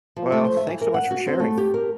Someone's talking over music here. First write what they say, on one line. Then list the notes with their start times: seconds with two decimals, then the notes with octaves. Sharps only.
Well, thanks so much for sharing.
0.16 F3
0.32 A3
0.45 C5
0.57 E5
0.69 E3
0.81 A#4
0.94 F#5
1.11 F#4
1.27 C4
1.40 A3
1.58 G4
1.74 A#4